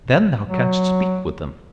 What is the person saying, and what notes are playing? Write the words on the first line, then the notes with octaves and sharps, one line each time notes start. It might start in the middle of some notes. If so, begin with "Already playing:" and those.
Then thou canst speak with them.
F#3